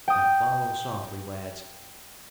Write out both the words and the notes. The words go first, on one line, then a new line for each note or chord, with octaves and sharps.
Now follow softly, lads!
G5 D#6